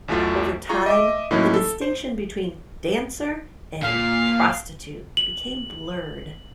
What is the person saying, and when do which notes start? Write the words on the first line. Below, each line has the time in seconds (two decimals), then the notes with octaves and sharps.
Over time, the distinction between "dancer" and "prostitute" became blurred.
0.08 B1 E2 B2 A3 F4
0.69 F4 G#4 A#5 C#6
0.86 D#5 E5 D6
1.31 A2 E3 F#3 A#3 C#4 D#4
1.54 A4
1.81 C5
3.83 A#2 F5
5.17 F#7